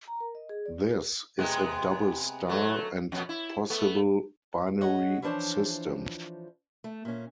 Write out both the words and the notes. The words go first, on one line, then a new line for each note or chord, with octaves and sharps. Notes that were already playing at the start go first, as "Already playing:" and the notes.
This is a double star and possible binary system.
A#5
A#4
D#5
G#4
D5
C3 G#3 B3
F#3 A3
F2 B2 B3
E4
A3 B3
F#4 G#4 C#5 D#5 F#5
E3 F3 D4 C5 C#5
A3
A#2 C#4